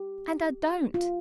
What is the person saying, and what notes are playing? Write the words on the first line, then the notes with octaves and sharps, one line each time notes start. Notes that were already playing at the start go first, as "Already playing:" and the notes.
And I don't.
Already playing: G4
F4